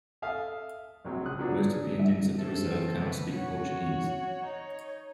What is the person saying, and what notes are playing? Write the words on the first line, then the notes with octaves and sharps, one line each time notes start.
Most of the Indians of the reserve cannot speak Portuguese.
A4 E5 F5 D#6 F6
A#1 F#3 C4
C#2 D#6 F#6
F3 F#3 B3 D4 G#4
E5
C4 A4
B4
F#4 C#5
D#4